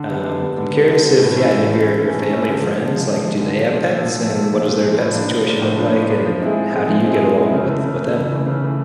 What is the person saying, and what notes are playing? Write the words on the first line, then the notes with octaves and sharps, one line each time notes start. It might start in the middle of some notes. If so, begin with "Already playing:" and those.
um, I'm curious if yeah, any of your your family or friends, like, do they have pets, and what does their pet situation look like, and how do you get along with with them?
Already playing: D3
G3 B3
D3
G3 B3
D3
G3 B3
D3
G3 B3
A2
E3 A3 C#4
A2
E3 A3 C#4
A2
E3 A3 C#4
A2
E3 A3 C#4
D3
F3 G#3
D3
F3 G#3
D3
F3 G#3
D3
F3 G#3
A#2
F3 A3
A#2
F3 A3
A#2
F3 A3
A#2
F3 A3
A2
F3 A#3 D4 F4
A2
F3 A#3 D4 F4
A2
F3 A#3 D4 F4
A2
F3 A#3 D4 F4
F3
G#3 C4 E4 G#4
F3
G#3 C4 E4 G#4
F3
G#3 C4 E4 G#4
F3
G#3 C4 E4 G#4
C#3
E3 A3
C#3
E3 A3
C#3
E3 A3
C#3
E3 A3